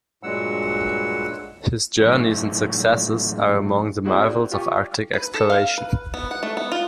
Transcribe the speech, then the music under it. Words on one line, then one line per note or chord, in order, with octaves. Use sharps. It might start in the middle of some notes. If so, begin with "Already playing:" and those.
His journeys and successes are among the marvels of Arctic exploration.
G2 A#2 F#3 G#3 F#5 E6
F#2 A2
C4 D4 E4 F#4 G#4
F4 G4 G#5 C#6 D6
B4
A4
F5
B4
B3
F#5
A3
B3
F4